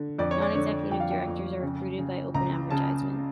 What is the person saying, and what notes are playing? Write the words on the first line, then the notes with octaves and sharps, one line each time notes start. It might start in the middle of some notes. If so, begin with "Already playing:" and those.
Non-executive directors are recruited by open advertisement.
Already playing: D3
F2 D5
C#5
D5
D3 C#5
F2 G5
F5
G5
F2
C#3
C#3
C#2 A#5
C#3 A5